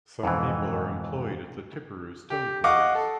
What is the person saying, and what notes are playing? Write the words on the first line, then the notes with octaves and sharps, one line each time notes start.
Some people are employed at the Tiperu Stone Quarries.
F2 G#2 B2 E3
G4
D#5 F5 F#5 C#6 D6
A4